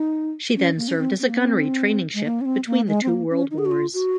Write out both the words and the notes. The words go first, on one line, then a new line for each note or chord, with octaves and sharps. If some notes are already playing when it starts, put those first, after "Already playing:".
She then served as a gunnery training ship between the two world wars.
Already playing: D#4
C#4
A#3
C#4
C4
C4
A#3
C4
G#3
A#3
C#4
C4
A#3
G#3
C4
A#3
C#4
D#4
G#4
F#4
F4
F#4